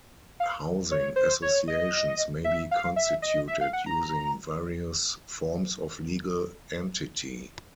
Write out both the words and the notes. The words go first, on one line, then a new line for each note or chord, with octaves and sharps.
Housing associations may be constituted using various forms of legal entity.
F5
C#5
C5
C#5
D#5
E5
F5
E5
D#5
E5
F5
F#5
A#5